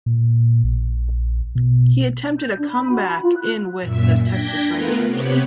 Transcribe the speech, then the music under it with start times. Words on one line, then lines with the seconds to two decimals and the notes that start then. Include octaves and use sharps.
He attempted a comeback in with the Texas Rangers.
0.06 A#2
0.64 A#1
1.55 B2
2.39 G6
2.58 D4
2.71 B5
2.90 F#4
3.08 B5
3.23 F4
3.36 F#6
3.80 F#2 A#2 E5
4.23 D4 G5 G6 G#6 A#6 B6
4.66 A3 B3 F4 A#4 B4
5.06 C3 B3 C4 G4 C#5 F#6